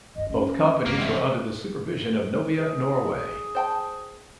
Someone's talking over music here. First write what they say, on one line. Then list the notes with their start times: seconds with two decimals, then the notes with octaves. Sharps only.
Both companies were under the supervision of Nobia Norway.
0.16 G1 F#2 D#5
0.30 A3 C#4
0.49 F#1
0.86 F#1 G2 G#3 A#3
0.99 E2 C3
2.58 G#4
3.55 C5 G5 A5